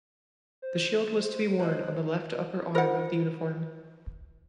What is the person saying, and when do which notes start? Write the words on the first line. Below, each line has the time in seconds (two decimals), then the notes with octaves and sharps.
The shield was to be worn on the left upper arm of the uniform.
0.62 C5
1.59 C5 C#5 D#5 F#6
2.75 F4 A#4 C5 F#5